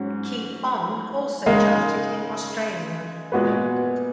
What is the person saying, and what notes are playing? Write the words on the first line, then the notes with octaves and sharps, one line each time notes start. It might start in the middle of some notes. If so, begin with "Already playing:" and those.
"Keep On" also charted in Australia.
Already playing: G#2 F#3 C#4 F#4
C#3 G#3 D#4 A#4 F5
A#2 G#3 B3 F#4 B4